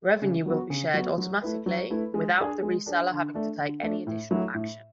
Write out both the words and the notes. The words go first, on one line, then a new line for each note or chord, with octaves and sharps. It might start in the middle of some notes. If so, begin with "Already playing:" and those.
Revenue will be shared automatically without the reseller having to take any additional action.
C#3
F#3 B3 F#4
C#3
F#3 B3 F#4
F#3
A3 E4 B4
F#3
A3 E4 B4
G#3
D4 G#4
G#3
D4 G#4
D3
A3 D4
D3
A3 D4
A2
F#3 A3 E4
A2